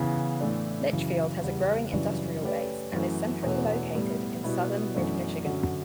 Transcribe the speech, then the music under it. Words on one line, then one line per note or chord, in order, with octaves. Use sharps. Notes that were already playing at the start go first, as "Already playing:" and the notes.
Litchfield has a growing industrial base and is centrally located in southern Mid-Michigan.
Already playing: C#3 E3 B3
A2 E3 A3 D4
F#2 C#3 E3
E2 C#3 G3
F#2 C#3 E3 G3 D4
A3 C#4 G4 B4 D5
F#2 E3 A3
E2 B2 A3 C#4
A2 G3 B3
B2 G3 B3 E4
F#2 E3 A3 D4
F#2 D3 F#3